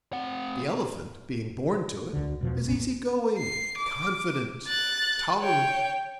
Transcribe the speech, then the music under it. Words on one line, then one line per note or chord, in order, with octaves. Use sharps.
The elephant, being born to it, is easy-going, confident, tolerant.
C4 F#5
D2 D3
E1 B2 F3
F1 A#1 C#4
C7
D6
F#6 A6
C#5 G5